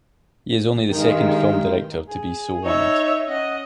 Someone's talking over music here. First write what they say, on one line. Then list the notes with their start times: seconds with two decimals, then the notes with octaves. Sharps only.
He is only the second film director to be so honoured.
0.91 G2 D#3 G#3 A#4 G5
2.08 G#4
2.64 D#4 C#5 E5
3.28 C#4 D#5 F#5